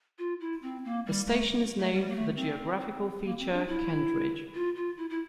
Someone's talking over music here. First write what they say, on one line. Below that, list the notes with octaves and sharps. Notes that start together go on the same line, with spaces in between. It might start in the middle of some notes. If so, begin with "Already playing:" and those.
The station is named for the geographical feature, Kent Ridge.
F4
E4
C4
A#3
G3
A3
A3
G3
A#3
A3
C4
A#3
C4
D4
E4
F4
F4
E4
E4